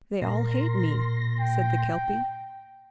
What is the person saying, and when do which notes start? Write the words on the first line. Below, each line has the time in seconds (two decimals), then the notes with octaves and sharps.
"They all hate me," said the Kelpie.
0.22 A#2 A#4 C6 A#6
1.40 G5